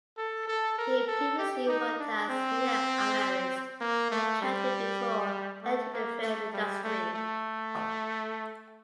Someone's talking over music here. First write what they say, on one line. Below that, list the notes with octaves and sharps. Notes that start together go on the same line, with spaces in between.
He previously worked as media analyst and accountant before entering the film industry.
A4
A4
A#4
A4
G4
D#4
D4
C4
A#3
A3
G3
A3
A#3
A3
G3
A3
A3